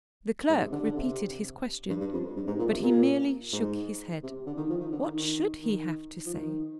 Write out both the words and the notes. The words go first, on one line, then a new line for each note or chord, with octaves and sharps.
The clerk repeated his question, but he merely shook his head. What should he have to say?
G#2
C3
D3
D3
C3
G2
G2
F2
G2
G#2
A#2
C3
A#2
G#2
C3
D3
D#3
F3
D#3
D3
D#3
D#3
D#3
F3
D#3